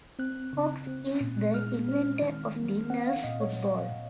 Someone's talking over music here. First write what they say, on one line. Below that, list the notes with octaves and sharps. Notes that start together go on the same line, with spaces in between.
Cox is the inventor of the Nerf football.
C4 F#6
C#3
C4
A#2
G#3 F6
C4
D#3
A#3
C4 F#5
F5
A#2 D#5
C#5